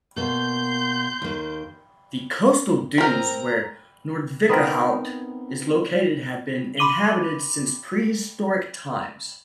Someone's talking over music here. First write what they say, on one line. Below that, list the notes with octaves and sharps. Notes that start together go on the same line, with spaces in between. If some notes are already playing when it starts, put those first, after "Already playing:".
The coastal dunes where Noordwijkerhout is located have been inhabited since prehistoric times.
B2 A#3 C6 G6
D#2 A#3
C4 A#4 A#5
B3 C4 D#4 A#4
B5 C6 D6 D#7 F#7 G7